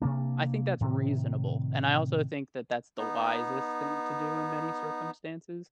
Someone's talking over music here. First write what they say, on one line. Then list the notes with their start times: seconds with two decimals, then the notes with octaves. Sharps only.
I think that's reasonable. And I also think that that's the wisest thing to do in many circumstances.
0.02 C3 A#3 D4
0.80 A2 C3 D#3
2.98 B3 D#4